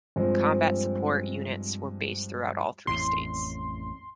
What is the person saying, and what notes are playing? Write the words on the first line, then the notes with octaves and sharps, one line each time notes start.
Combat Support units were based throughout all three states.
G2 F3 G#3 C4
A1 F2 A2 C6